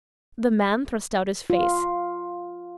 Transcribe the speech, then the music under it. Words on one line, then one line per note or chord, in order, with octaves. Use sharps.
The man thrust out his face.
F4